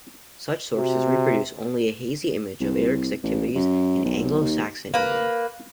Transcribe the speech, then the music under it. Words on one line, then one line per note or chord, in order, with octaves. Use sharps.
Such sources reproduce only a hazy image of Eric's activities in Anglo-Saxon England.
C3 F#4
C2
A1
F#2
B1
D#2
A#3 B4